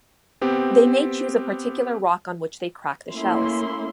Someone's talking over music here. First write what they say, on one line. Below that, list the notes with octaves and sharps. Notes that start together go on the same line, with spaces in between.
They may choose a particular rock on which they crack the shells.
B3 C4 G4
A3 A#3 C#4 E4 C6